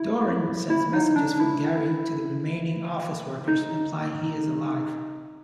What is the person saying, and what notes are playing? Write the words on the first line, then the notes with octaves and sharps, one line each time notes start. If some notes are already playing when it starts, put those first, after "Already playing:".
Dorine sends messages from Gary to the remaining office workers, implying he is alive.
Already playing: E4
E4
D#4
D4
E4
D#4